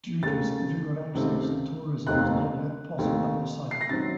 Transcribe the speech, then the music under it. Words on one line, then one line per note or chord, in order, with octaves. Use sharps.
Due to its difficult access, tourism is not yet possible at the site.
D#2 C#3 A3 A6
C#2 C3 D#3 A3 C4
F1 D#2 D#3 A3 C4 F#6
D#2 D#3 A3 C4
C7
A#6
F#2 D#3 F#3 C4 A6